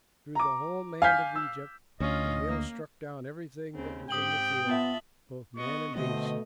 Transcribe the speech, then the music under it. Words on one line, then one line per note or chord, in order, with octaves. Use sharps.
Through the whole land of Egypt the hail struck down everything that was in the field, both man and beast.
A#5 D6
F5 G#5 F6 G6 B6
E6
D2 C#4 F4 D#5
A#3
D#2 C#3 C4
G#2 C4 G4 G5 D#6 F#7 G7
B3 F4 E5 A5
B3 D#5 C#6
B2 D3 A3 C4 D#5